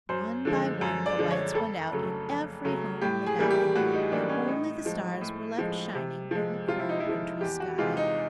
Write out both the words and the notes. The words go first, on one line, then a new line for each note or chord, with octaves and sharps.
One by one the lights went out in every home in the valley, and only the stars were left shining, in the cold wintry sky.
F#2 C5
D3 F3 G#3
F#2
D5
D3 F3 G#3
C#5
F2 A4
C#3 F#3 A3
F2
C#3 F#3 A3
A2 G4
G#4
E3 G3 A#3
G4
A2 F#4
D#4
E3 G3 A#3 D4
C#4
A2 D#4
F3 G#3
A2
F3 G#3
C3
F3 G#3
C3 F4
E4
D#4
E4
F3 G#3
E2 G4
F#4
C3 E3 G#3 F4
D#4